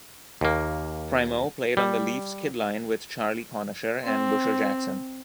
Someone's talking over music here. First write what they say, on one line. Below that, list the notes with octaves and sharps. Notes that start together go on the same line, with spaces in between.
Primeau played on the Leafs' Kid Line with Charlie Conacher and Busher Jackson.
D#2 A#3
G3
C4